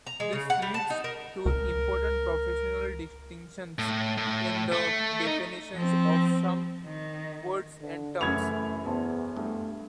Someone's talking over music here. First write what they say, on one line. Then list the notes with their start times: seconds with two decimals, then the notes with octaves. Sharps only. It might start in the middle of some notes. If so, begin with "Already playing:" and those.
This leads to important professional distinctions in the definitions of some words and terms.
0.07 A#5
0.20 G#3
0.33 C#3
0.50 F#5
0.62 G3
0.74 A5
0.90 D#4
1.04 A#4
1.46 C#2 A#4
3.79 A2
4.18 A2
4.72 A3
5.27 D#4
5.73 F3 C4
6.84 D#3
7.82 D3
8.21 F#2 C#3 E3 A3 F#4 B5 G#6 F7
8.85 E2 B3 C5 A5
9.37 G2 A3